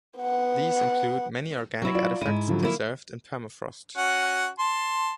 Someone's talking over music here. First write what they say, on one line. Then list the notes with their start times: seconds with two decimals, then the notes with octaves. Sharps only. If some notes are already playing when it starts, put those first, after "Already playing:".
These include many organic artifacts preserved in permafrost.
0.20 B3 F#5
1.82 F#3 E4
1.95 F4 D5
2.21 G#2 E4 D#7
2.47 D3 F3 F#3
2.62 A#3 E4
3.95 C#4 F#4 F#5
4.59 A5 C6